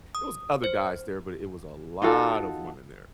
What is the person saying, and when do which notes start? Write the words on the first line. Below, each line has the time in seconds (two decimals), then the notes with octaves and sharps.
it was other guys there, but it was a lot of women there,
0.15 D#6
0.64 C5
2.02 D#4 F4 F#4 A4